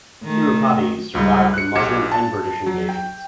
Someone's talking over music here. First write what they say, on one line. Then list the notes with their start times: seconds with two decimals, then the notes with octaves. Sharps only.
Tirupati survived the Muslim and British invasions.
0.23 D#3 A3
1.15 C#2 G3
1.54 F#6 C#7
1.75 B1 G4 G#6 C#7 E7
2.12 A5
2.66 F#3
2.89 G5